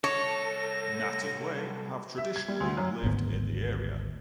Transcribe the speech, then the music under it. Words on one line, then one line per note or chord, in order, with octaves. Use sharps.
Ngati Wai have traditionally lived in the area.
C2 A4 C#5 A#6
E5
G#6
G3
D2
F#2
G#1 D2 G#2 B3